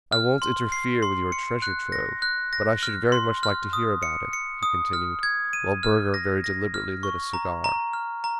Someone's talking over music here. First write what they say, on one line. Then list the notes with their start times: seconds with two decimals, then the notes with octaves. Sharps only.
"I won't interfere with your treasure-trove, but I should very much like to hear about it," he continued, while Burger very deliberately lit a cigar.
0.12 F6
0.42 C6
0.72 C7
1.03 C6
1.32 C#7
1.62 F#6
1.92 A#6
2.22 F#6
2.53 A#6
2.83 F6
3.12 C6
3.43 F6
3.73 D#6
4.03 C#7
4.33 C#7
4.63 D#6
4.93 F6
5.23 G#6
5.53 D#7
5.83 F6
6.14 A#6
6.44 A#6
6.74 F6
7.03 C#6
7.33 A#5
7.64 A#5
7.93 F6
8.24 A#5